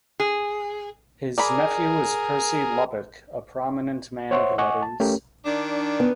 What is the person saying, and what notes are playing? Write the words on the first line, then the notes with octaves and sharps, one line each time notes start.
His nephew was Percy Lubbock, a prominent man of letters.
G#4
G#4 A#4 D5 A#5 B5
C5 C#5 E5 F#5 C6 C#6
D#5 F#5 G#5 C#6 D6
A5
A3 C#4 G4 A#4
D#3 D4
B3